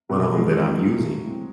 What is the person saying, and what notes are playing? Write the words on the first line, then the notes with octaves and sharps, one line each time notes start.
one of 'em that I'm using,
B2 F#3
F#3
G#3
E2
C4
F3
A3
A2
C4